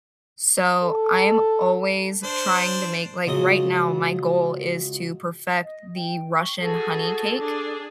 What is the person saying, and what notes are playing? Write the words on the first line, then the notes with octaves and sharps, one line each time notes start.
So, I'm always trying to make like, right now, my goal is to perfect the Russian honey cake.
A4
D4 C5
C#2 F#3 D#5 D#6
D#5
G5
C#6
F#4 G#4 A4
D4 G#4